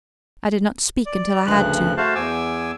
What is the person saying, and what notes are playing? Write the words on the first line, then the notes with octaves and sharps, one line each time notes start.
I did not speak until I had to.
D5
D2 G2 C#3 F3 F#6
A3 F#4 C5 F5 A5
E2 G#5 D6 E6